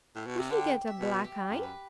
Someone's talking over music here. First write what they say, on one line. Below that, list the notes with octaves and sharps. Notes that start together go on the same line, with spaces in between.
Would he get a black eye?
A2
B2
C3
D3 G4
E5
B2
G4
F#2
B4